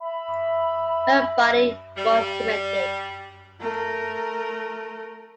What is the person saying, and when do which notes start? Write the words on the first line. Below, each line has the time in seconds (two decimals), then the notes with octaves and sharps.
Her body was cremated.
0.01 E5 B5
1.97 G3
3.60 A3 A#4